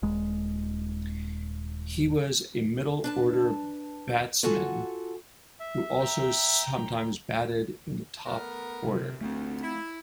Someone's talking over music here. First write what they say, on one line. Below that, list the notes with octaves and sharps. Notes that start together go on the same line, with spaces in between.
He was a middle order batsman who also sometimes batted in the top order.
D#1 G#3
D4 B4 A5
F4 F#4 A4 F#5 G#5
E5
G5 A#5
A3 B3 A#4
C3 C4
D2 A3 B3 C4
E4